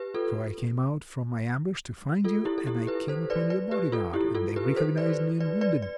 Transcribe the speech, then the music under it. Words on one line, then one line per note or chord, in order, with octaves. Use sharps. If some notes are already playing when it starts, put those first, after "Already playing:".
So I came out from my ambush to find you, and I came upon your bodyguard, and they recognized me, and wounded me.
Already playing: G4 B4
F4 A4
F4 A4
E4 G4
A4
E4 G4
G4 B4
A4 C5
B4 D5
B4 D5
G4 B4
F4 A4
E4 G4
F4 A4
G4 B4
A4 C5
B4 D5
B4 D5
B4 D5
D5